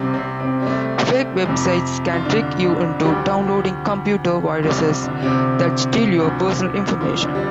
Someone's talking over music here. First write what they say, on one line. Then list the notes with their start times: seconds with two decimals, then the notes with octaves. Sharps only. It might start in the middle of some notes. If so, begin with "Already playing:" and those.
Fake websites can trick you into downloading computer viruses that steal your personal information.
Already playing: C2 C3 G3 C4
0.14 C3 C4
0.40 C3 C4
0.62 G3
0.67 A3
1.46 F2 C3 F3
2.13 F4
2.25 D3 D4
2.65 D3 D4
3.04 D2 D3 F3 G3 G4
4.63 C2 C3 F3 G3 F4
5.02 D3 D4
5.22 C3 C4
6.21 D2 D3 F3
7.01 F3 F4
7.20 D3 D4
7.35 G3